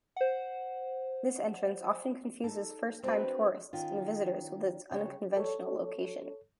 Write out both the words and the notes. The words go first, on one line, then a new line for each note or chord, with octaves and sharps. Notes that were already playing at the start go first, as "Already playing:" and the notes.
This entrance often confuses first-time tourists and visitors with its unconventional location.
C5 F#5
D#4 A4
C4 D4 F#4 B4
D#3 C#4 F4
C#3 G3 C#5
A4 C#5